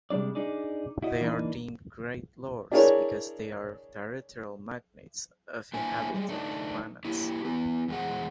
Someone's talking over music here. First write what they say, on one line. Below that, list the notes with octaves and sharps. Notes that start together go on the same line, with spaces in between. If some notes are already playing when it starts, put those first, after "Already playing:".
They are deemed great lords because they are territorial magnates of inhabited planets.
C3 G3 G#3 D4 D5
D4 D#4 G#4 D5
E4 F#4 D#5
E3 A#3 D4 D#4
D4 E4 G#4 A#4 C#5
A#3 D4 E4 C5 G#5
G3 G#3
A3 D4 D#4
A#3 E4 G4
B3 E4
E2 G#3 F#5